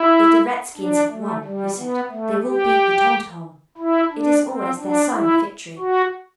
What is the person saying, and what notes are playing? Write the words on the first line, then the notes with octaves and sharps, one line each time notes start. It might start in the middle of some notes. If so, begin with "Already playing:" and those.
'If the redskins have won,' he said, 'they will beat the tom-tom; it is always their sign of victory.'
Already playing: E4
D4
A3
G3
B3
A3
G4
E4
D4
C4
D4
E4
F#4